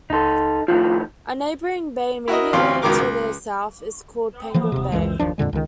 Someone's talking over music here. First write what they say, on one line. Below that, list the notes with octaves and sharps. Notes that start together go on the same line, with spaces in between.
A neighbouring bay immediately to the south is called Penguin Bay.
C#2 D#4 A4 C6
A2 D#3 F3 F4
E4 F#4 A#4 D#5
A1 D2 C4 F5 C6
C#2 B2 D#3 A#4 D6
C#2
E3 F3 A#3
D#1 C3
C#2 F#2 E3 G#3
F#1 D#2 F3 D4
F2 A#2 D3 G#3
C#2 D#3